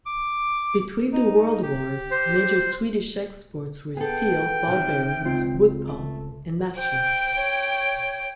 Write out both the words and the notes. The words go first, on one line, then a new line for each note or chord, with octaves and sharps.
Between the world wars, major Swedish exports were steel, ball-bearings, wood pulp, and matches.
D6
D#4
G4
C5
B3 G#4 A4 G5
C3 D#3
C#2 C4 F4
A3
C5 G5 D7
C#5